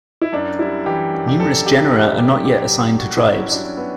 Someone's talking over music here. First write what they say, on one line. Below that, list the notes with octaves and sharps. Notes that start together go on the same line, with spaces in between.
Numerous genera are not yet assigned to tribes.
E4
F#2 D4
G3 E4
E3 G4
F#2
G4
F#2 A4
G3 G4
E3
F#2 G4
F#3 G4
G2
F#3 F#4
E4
G2
C#4
F#3 D4
C#4
B3